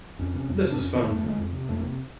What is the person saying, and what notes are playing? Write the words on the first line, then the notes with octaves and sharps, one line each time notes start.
This is fun!
F2 C#4
C3 C#4
F2
C3
D4
F2 C#4
D3 B3
F2 A3
A3
D3 G#3
F2
C3
F2 A3
A#3
C3